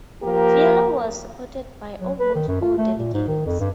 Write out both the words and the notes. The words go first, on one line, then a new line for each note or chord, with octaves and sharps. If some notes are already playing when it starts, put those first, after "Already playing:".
Fiala was supported by almost all delegates.
F3 A#3 G4 A#4
F#3
B4
D#3
F#2
F4
A3
A#2
G#2
D#3
F2
G2